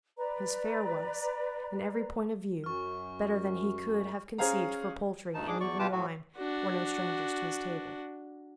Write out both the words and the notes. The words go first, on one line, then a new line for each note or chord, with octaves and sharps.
His fare was, in every point of view, better than he could have conceived, for poultry, and even wine, were no strangers to his table.
B4 D5 A#5
F#2 C#6 F6
C#4 G#4 C5 F5 A#5
D2 G2 D#4 A5
G#2 D4 G#4 D6
E2 D5 C#6
B2 F4 G4 B4 A5 D6
A2 F#3 F#4
D4 F#4